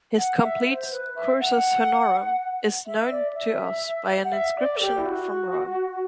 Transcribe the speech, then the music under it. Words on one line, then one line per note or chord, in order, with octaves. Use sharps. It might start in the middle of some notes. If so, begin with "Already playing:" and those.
His complete "cursus honorum" is known to us by an inscription from Rome.
F#5
E5
C5
B4
E5
F#5
E5
D5
E5
F#5
E5
D5
A4
G4
E4
F#4